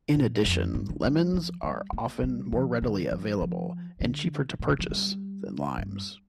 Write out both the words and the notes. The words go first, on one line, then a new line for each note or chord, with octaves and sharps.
In addition lemons are often more readily available, and cheaper to purchase, than limes.
A#2
F2
G2
D3
G3
F3
G3
A#3
G3
F3
D3
F3
F3
D3
A#2
D3
F3
G3
G2